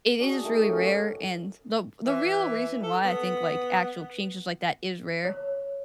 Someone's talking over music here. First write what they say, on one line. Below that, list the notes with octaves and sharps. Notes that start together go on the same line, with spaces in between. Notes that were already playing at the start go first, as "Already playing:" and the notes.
it is really rare and the the real reason why I think, like, actual changes like that is rare,
D4 F#4 G#4
D#3 A3 D#5
C#4 F#4
E3
A4
B3
C#5